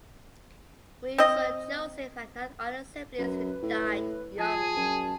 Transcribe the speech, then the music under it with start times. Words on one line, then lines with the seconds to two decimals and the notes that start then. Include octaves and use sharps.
Wenzel Joseph had nine other siblings who died young.
1.18 C4 D#5
3.19 F#2 B4
3.63 A2
4.38 F3 G#4 G#5 A5
4.77 F#2